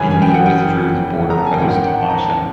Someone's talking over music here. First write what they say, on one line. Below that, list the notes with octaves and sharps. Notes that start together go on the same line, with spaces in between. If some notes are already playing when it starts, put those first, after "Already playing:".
India withdrew the border post to Maja.
Already playing: F#1 F#2 C#3 E3 G#5
G#5
G5
F#5
G5
A#5
A5
G#5
G5
A1 G#2 D#3 F#5
G5
F#5
A5
A#5
A5